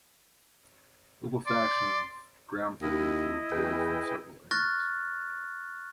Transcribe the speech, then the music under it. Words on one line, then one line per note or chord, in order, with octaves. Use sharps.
Liquefaction and ground fissures were reported from several areas.
D5 C6
D#2 E4 D#5
E2 G#4 B4 G5
C#6 F6 F#6 A6 A#6